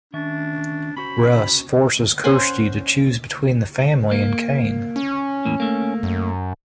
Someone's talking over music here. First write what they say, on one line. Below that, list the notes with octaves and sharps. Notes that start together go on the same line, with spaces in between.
Rhys forces Kirsty to choose between the family and Kane.
D#3 C#4 D4 E5
C#4 F#4 C5 B5
C#4 C5 F#5 G#5
A#3
C#4
E2 A2 A#3
A3 A#3
F#2